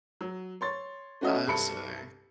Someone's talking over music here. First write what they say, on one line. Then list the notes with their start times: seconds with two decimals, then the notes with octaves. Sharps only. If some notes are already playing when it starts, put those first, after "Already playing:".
I see.
0.21 F#3
0.61 C#5 C6 A6
1.21 A3 C#4 F#4 C#5 D#5 E5
1.47 C2 G2 A4 B5 C#7